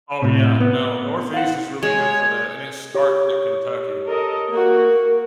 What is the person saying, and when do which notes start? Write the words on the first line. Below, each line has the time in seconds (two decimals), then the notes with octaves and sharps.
Oh, yeah. No, Northeast is really good for that, and it starts at Kentucky.
0.22 A2 C3
0.60 B3
1.34 F5 F#5
1.83 G#3 C#5
2.95 G4 C#5
4.07 A4 A#4 D#5
4.49 A#3 F#4 A#4